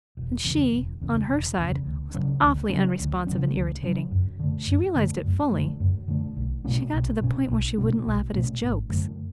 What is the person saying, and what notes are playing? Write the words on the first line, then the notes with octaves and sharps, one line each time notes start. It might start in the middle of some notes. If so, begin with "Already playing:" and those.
And she, on her side, was awfully unresponsive and irritating,--she realized it fully,--she got to the point where she wouldn't laugh at his jokes.
E1
E2 C#3
E1
E2 C#3
E1
E2 C#3
D2
C#3 F#3 C#4
D2
C#3 F#3 C#4
D2
C#3 F#3 C#4
D2
C#3 F#3 C#4
F#2
D3 A3
F#2
D3 A3
F#2
D3 A3
F#2
D3 A3
B1
B2 A3 C#4
B1
B2 A3 C#4
B1
B2 A3 C#4
B1
B2 A3 C#4
G#1
F#2 D3 A3